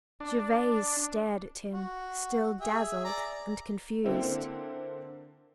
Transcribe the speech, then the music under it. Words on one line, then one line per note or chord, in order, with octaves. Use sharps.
Gervase stared at him, still dazzled and confused.
D4
F#4
G#4 E5
D5 A#5
D3 A#3 C4 E4